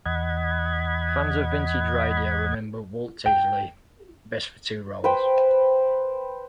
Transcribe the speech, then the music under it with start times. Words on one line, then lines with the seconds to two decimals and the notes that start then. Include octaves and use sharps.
Fans of vintage radio remember Walter Tetley best for two roles.
0.05 E2 D#5 F#5 B5 G#6
3.26 G5
5.04 B4 C5 G5